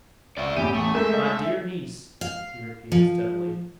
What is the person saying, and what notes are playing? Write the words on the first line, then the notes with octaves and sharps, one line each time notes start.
My dear niece,' he repeated steadily.
C#2 D5 E5
A1 E2 G4 D#7
A3
G#3 A3 A4 A#4 E5 G6
D#5 E6
F5
F3